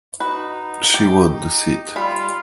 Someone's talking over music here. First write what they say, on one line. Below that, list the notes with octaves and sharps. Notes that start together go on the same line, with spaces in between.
She won the seat.
D#4 F#4 B4
G4
D#4
G3 F4 B5